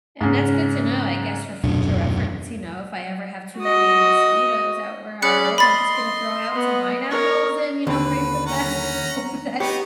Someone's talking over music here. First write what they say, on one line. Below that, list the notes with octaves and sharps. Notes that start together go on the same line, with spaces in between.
And that's good to know, I guess, for future reference, you know, if I ever have too many mosquitoes out where I live, I'm just gonna throw out some pineapples, and, you know, pray for the best, and hope that
G#2 C#3
D#1 F#2 B2 D4
F#4 D#5
C#4 G#4 D5 B5 F#6 C#7
D#5 B5 C6 A6
B3
A#4 C#5
D#2 D3 B4
C#4 F#5 A#5
B3 D#4 G4 C#5